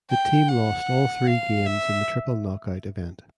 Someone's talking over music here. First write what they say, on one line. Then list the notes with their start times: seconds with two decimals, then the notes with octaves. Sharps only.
The team lost all three games in the triple knockout event.
0.10 G5
0.48 F#5
1.27 F5
1.66 E5